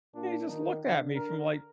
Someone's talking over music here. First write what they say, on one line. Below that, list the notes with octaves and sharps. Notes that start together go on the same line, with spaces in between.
Yeah, he just looked at me from, like,
A#2 D4
D#3 D#4
D3
A#4